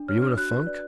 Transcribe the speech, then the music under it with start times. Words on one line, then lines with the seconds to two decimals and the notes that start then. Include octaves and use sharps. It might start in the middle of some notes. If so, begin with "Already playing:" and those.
Were you in a funk?
Already playing: D4
0.08 C#5 F6
0.22 D4 F6
0.37 F#4 F#6
0.52 B4
0.67 D5